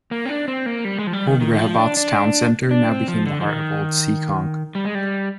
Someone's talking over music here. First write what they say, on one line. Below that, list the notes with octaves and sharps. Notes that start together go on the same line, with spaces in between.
Old Rehoboth's town center now became the heart of Old Seekonk.
A#3
C4
D4
C4
A#3
G3
G#3
F3
G3
D#3
D#3
D#3
F3
D4
D4
D4
C4
F3
D3
F3
D#3
G3
G#3
G3